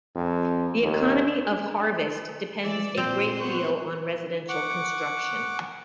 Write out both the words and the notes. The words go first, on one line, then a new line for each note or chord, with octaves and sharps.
The economy of Harvest depends a great deal on residential construction.
F2
D#2
E3 D5 E6
A#2 C4 C5
B3 C#6 F#6
F#5 C#6 D6